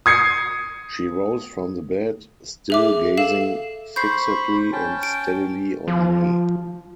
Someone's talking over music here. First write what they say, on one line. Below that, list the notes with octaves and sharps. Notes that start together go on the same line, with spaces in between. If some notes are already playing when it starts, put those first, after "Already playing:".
She rose from the bed, still gazing fixedly and steadily on me.
D#6 G#6 C7 C#7
G#4 E5 D6
A4 F5 E7
C5 B5 C#6 G6 C7
C#4 G5 A5
D7
F3